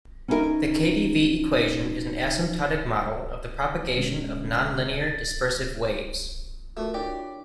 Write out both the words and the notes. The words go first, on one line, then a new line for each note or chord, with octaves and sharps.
The KdV equation is an asymptotic model of the propagation of nonlinear dispersive waves.
C#4 D#4 E4 F#4 A#4 D#5
B2 D3 G#3 C#4
A6
A3 F4 F#4 A#4
D4 E4 G4 C#5 D5